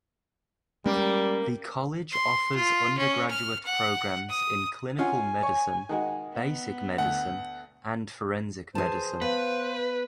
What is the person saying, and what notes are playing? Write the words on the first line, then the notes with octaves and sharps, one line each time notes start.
The college offers undergraduate programs in Clinical Medicine, Basic Medicine and Forensic Medicine.
G3 G#3 A#3 C#4
C6
F4
C#4
F6
F#5
D#6
C#4 F4 F#5 G#5
C#5
D#3 G#3 F#4
B3
D2 F#5
G#4 B4 C5 A5
B3 B4 F5